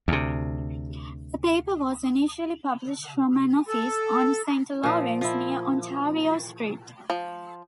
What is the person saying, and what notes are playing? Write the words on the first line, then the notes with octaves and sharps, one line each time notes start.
The paper was initially published from an office on Saint Lawrence near Ontario Street.
D2 C3
A4
A#2 F3
F3 E4
F3